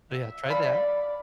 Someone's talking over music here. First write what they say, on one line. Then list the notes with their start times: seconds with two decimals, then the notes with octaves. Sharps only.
So yeah, try that.
0.11 E5
0.46 D5 F5 B5